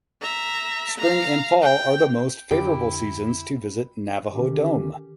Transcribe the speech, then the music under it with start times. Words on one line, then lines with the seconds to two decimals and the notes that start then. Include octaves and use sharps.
Spring and fall are the most favorable seasons to visit Navajo Dome.
0.22 E5 A#5
0.97 F5 A#5
1.62 G5
2.51 F2 D3 E4 G4 G5
4.33 D3 D#3 C#4 G4